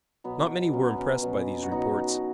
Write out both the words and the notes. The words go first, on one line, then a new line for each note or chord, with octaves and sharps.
Not many were impressed by these reports.
B2 F#3 B3
B2 F#3 C#4
B3
C#4
B2 F#3
F#4
B2 F#3 D#4